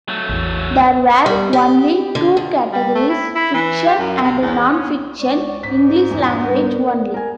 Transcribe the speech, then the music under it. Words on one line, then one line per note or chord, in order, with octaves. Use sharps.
There were only two categories, fiction and non-fiction, English language only.
F#3 A3
A1 E2
G3
G4
D3
F2
G3
A3
E4
E4
E3
G4
F#2
C3
E2
C#4
G#3 C#5 D5 C#6
G#2 C#4 B6
E1 D4 E4 E5
G3 B3 D4 A#4 F#5
A#4 D5
A#4 G#5